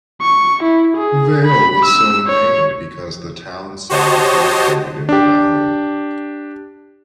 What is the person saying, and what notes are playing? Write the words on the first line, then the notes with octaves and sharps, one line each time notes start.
Vale was so-named because the town site is located in a valley.
C#6
E4
G#4
B5
E6
C#5
F#4 G4 C5 C#5 D#5 A5
D4 G4